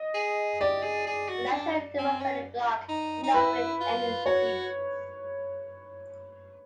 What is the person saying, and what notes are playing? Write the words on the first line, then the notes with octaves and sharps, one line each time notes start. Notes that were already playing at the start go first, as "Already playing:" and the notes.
The National Democratic Block did not win any seats.
Already playing: D#5
G#4
G4 D5
G#4
G#4
F#4
D4
C4
C#4
D#4
D#4
E4 B4
F4
F#4 C#5